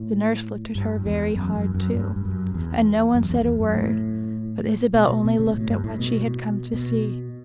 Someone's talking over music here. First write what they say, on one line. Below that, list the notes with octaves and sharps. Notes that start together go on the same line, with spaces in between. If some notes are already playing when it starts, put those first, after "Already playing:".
The nurse looked at her very hard too, and no one said a word; but Isabel only looked at what she had come to see.
Already playing: A2
G2
E2
F#2
F#2
F#2
G2
G2
F#2
E2
F#2
E2
F#2
E2
F#2
A2
B2
B2
C#3
B2
A2
G2
A2
B2
B2